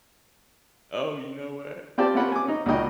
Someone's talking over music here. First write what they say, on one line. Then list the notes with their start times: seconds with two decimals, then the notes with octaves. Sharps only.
Oh, you know what? It could have been.
1.98 C4 F4 G4 D5 G5 A5
2.15 C4 C#4 F4 G4 F#5 B5
2.32 G#5 D6
2.45 C#4 D#4
2.66 C#2 A#2 D#4 F#4 D#5 G5